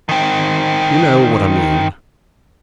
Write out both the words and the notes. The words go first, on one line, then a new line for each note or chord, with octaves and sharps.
You know what I mean.
D#3 C4